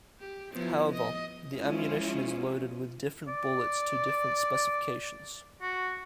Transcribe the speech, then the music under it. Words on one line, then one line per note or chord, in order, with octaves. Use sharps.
However, the ammunition is loaded with different bullets to different specifications.
G4
F3 B3 E4
D#5
F3 G#3 C#4 E4 F4
D5
F#4